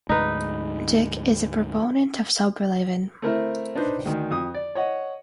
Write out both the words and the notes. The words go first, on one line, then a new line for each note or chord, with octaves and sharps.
Dick is a proponent of sober living.
D2 G#2 D#4 B4
A3 C4 E4 A#4 E5
D4 D#4 B4 C5
D2 D#3
F2 D#6
D5
C#5 D#5 F#5